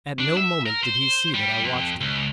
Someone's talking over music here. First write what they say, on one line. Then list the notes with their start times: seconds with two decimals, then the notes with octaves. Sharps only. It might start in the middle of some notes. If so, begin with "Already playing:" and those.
At no moment did he see that I watched him.
0.19 D4
0.37 E5
0.66 A#4
0.84 C5
1.34 G3
1.64 F2
2.01 C#2